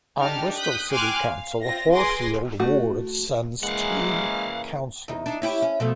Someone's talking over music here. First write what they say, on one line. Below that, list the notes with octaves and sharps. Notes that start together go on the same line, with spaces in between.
On Bristol City Council, Horfield ward sends two councillors.
D4 D#4 G4 G#4 A5 F6
D#6 F#6 G6 B6
G5 G#5 C6 D6 F6 F#6
F5
C4 F4 A#6
G#4 B4 G#5 C6 D6 A#6
A3 F#4
C#3 E3 G#3 A#3 F5 F#5
E2 D#4
D4 D#4
C#4 E4 G4
C#4
B2 F3 A3